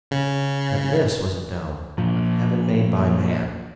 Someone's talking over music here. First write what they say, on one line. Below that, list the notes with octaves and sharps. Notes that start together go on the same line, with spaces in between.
But this was a dome of heaven made by man.
C#3
A#2 F3